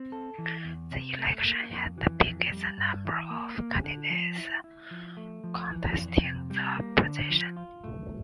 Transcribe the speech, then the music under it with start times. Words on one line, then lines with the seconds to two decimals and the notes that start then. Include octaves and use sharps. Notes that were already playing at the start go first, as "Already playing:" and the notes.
The election had the biggest number of candidates contesting the position.
Already playing: C4
0.12 A4
0.38 E3
0.65 E2
0.91 C3
1.19 A3
1.45 A#3
1.72 F2
1.98 E3
2.24 F2
2.51 G3
2.78 G2
3.05 E3
3.31 A#3
3.58 A#3
3.84 D3
4.10 F3
4.38 E4
4.64 E4
4.91 F3
5.17 A3
5.44 F3
5.71 E3
5.97 F2
6.24 C3
6.50 G3
6.77 A#3
7.04 D3
7.30 F3
7.57 F4
7.84 A3